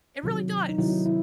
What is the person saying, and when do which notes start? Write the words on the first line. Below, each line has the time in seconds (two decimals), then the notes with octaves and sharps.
It really does.
0.23 C3 D#3 F#3
0.69 D#4
0.78 C3 D#3 F#3 E4
1.06 E4